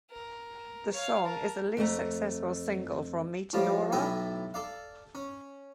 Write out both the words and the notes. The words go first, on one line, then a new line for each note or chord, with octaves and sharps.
The song is the least successful single from "Meteora".
A#4
C#5 F5
A#4 A5
F2 A3 F#4 A#5
A2 F3 G3 F4
B1 A2 A3 E4 G5 G#5
A4 D5 F5
C#4